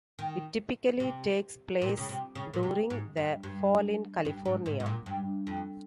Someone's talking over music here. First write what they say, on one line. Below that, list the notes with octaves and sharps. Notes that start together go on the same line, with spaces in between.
It typically takes place during the Fall in California.
D#3
C3
A#2
C#3
C3
C#3
A#2
C3
G#2
G2
G2
G2
G#2
G#2
G#2
A#2
G2
F2